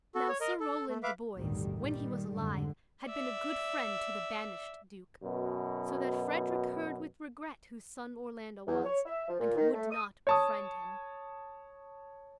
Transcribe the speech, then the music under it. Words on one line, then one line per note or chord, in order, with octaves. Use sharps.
Now Sir Rowland de Boys, when he was alive, had been a good friend to the banished Duke, so that Frederick heard with regret whose son Orlando was, and would not befriend him.
F#4 A4
C#5
A#4 D#5
A4
A3
B4 E5 F5 D6
A1 D2 G2 B2 D#3 G3
A#2 D#3 G3
F2 G#2 D3
D5 E5
F#2 B2
E2
C#5
E5
F3
A#2
D#3
A3
D#6
C#5 A5 D#6